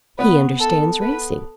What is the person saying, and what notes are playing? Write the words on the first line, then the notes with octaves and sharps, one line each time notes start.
"He understands racing."
B3 B4
A4
B4